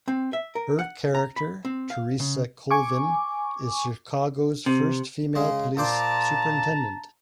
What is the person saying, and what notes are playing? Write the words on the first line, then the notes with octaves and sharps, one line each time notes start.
Her character Teresa Colvin is Chicago's first female police superintendent.
C4
E5
A#4
F#5
A#5
B5
C4
F5
C#3
G#5 C#6 D6
C3
C#3 G#3
A#2 C5 D5 A5 A#5